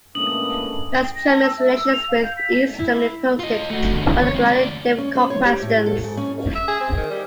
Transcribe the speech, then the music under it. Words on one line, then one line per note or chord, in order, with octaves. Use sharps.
West Germany's relations with East Germany posed particularly difficult questions.
A2 E3 G#3 A#3 C#4 D4 D#6 F#7
G5
A#6
A5
E6
E5
E6
F7
F5
G6
B6
E4
F4 D#5
A3 F#4
E2 D3
C#5
G#3 C4
D2 D5
C#4
C5
C#5
G4
A2
A4
G#2
C#4
E5
G#4
C4
D#3
G3